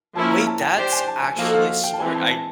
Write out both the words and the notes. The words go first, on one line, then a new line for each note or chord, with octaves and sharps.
Wait, that's actually smart. I
F3 A#3 C#4 E4 A5
A#5
A5
G5
D4 G4 C5 G5
G#5
A5
G#5
F3 A#3 D#4 F#4 A4 F5
F5
F5
G5
A5
E3 G#3 C4 G#5
A5
A5